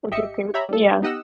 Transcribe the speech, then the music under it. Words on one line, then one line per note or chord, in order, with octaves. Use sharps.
Would you agree with yeah.
G#1 G4 D#5 E5 C#7
G4 C#5 E5 A#5 B5
G3 A4
B3 D#4 G4 D#5 F#5 E6